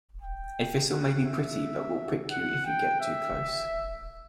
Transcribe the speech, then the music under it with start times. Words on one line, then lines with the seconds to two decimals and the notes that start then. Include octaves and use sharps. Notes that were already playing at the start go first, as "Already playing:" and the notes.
A thistle may be pretty but will prick you if you get too close.
0.22 G5
0.91 F#5
1.26 E5
2.31 F#5
2.66 G5
3.01 E5